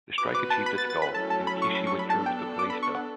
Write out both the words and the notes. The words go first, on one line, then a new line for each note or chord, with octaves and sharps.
The strike achieved its goal, and Kishi withdrew the police bill.
B3 F#4 B4 D6
D6
A5
B5
A6
A6
B5
F#3 A3 C#4 E4 A4 A5
A5
B5
C#6
B5
C#6
B5
B3 D4 A4 A5
G5
D6
B5
C#6
F#5